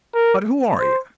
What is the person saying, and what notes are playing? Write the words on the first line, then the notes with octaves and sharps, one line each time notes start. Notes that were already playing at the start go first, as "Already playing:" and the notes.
"But who are you?"
A#4
C5